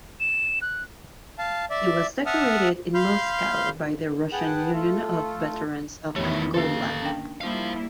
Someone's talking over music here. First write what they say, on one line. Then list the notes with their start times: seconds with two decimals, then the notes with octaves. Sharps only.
He was decorated in Moscow by the Russian Union of Veterans of Angola.
0.20 E7
0.62 F#6
1.39 F5 A5
1.70 D5 E5
2.26 E5 F#5 A5 D#6 F6
2.95 F5 B5 C6 F6 G6
4.33 G#4 B4 F#5 G5 A5
4.73 A3 F4 A4
6.16 E2 D#3 A3 B3 E4 G4 C#5
6.54 D3 D#3 A#3 C#4 G4 A4 F5
7.02 C#4 D4 G5
7.41 G3 A#3 E4 C5 F5